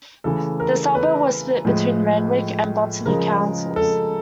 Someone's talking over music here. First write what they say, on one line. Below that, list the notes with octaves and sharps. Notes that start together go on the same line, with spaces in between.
The suburb was split between Randwick and Botany Councils.
C#3 E3 A3 A4
A#4
B4
A2 F3 G#3
C#3 F3 G#3 A#4
A4